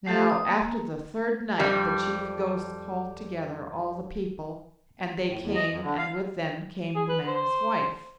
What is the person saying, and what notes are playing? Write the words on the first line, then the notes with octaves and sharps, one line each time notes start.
Now, after the third night the chief ghost called together all the people, and they came, and with them came the man's wife.
A3 G4 A4 E5 F5
D#6
A#3
F2 G3
A2
E2
D#5
F2
D3
F5
G#4
B4
C5